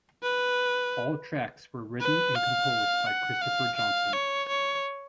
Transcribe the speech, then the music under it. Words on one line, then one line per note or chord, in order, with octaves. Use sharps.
All tracks were written and composed by Christofer Johnsson.
B4
B4
F5
F#5
F5
F5
C#5
C#5